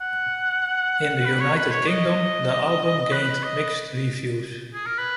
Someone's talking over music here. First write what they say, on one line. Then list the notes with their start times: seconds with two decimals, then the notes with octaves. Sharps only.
In the United Kingdom, the album gained mixed reviews.
0.01 F#5
1.25 B4
1.41 C#5
1.57 B4
1.72 C#5
1.87 D#5
3.12 B4
3.43 D#5
4.74 G#4
4.86 A#4
4.98 B4